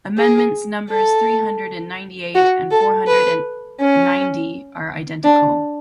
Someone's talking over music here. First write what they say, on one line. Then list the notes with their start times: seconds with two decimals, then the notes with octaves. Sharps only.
Amendments numbers three hundred and ninety-eight and four hundred and ninety are identical.
0.18 G#4
0.89 A4
2.35 F#4
2.71 A4
3.07 B4
3.79 C#4
5.24 D4